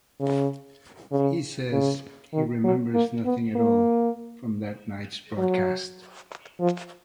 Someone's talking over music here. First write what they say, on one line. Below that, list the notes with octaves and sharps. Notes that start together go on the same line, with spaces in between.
He says he "remembers nothing at all" from that night's broadcast.
C#3
C#3
C#3
D#3
F#3
A#3
B3
A#3
F#3
F3